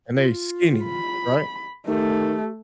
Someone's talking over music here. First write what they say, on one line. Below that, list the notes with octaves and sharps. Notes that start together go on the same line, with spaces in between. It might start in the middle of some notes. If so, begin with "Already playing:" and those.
and they skinny, right?
F4
B5
D#3 A3 G4